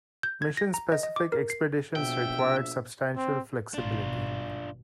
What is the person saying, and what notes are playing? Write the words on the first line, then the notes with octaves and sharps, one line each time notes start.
Mission-specific expeditions required substantial flexibility.
G6
G#6
A#6
A#5
D#5
D#5
D6
A#4
C7
A#1 B2 E5 G5
C4
G#1 G2 B2 D4 F4